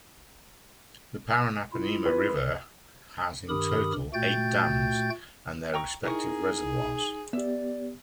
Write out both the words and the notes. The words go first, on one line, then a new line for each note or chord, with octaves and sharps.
The Paranapanema River has in total eight dams and their respective reservoirs.
E4 F4
B4
G2 D#3 G4 A#4 B5 D#6
A#2 A3 F#4 G5 G6 A6
G5 A#5 C#6
D#3 D#4 E4 G#4 A#4 C#6
B3 G4 D5 E5